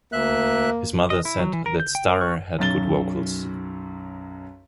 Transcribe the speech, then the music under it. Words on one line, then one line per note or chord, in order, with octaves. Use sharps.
His mother said that Starr had good vocals.
D2 A#3 E5 F#6
D#5
E4
F#3
E3
A#4
G6
G5
A#4
C#6
B1 F#2 A6 G7